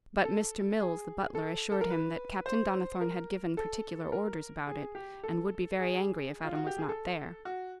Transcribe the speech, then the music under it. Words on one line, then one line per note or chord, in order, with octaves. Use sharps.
But Mr. Mills, the butler, assured him that Captain Donnithorne had given particular orders about it, and would be very angry if Adam was not there.
A4
G#4
A4
A4
A#4
B4
C5
A#4
A4
A#4
G#4
G4
A4
G#4
F4
F#4
G4
G#4
A4
F#4